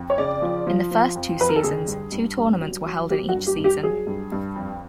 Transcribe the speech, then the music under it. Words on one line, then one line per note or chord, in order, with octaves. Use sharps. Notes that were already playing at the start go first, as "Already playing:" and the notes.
In the first two seasons, two tournaments were held in each season.
Already playing: F2
C#5
C#3 D5
F3
F3
F3
F2
F2 B4
A#4
A4
D3 G#4
G2
G2
G2
F#3
F#3
F#3 G4
F#4
G2
G4
G2
G4
F#3 G#4
G2
G2
F2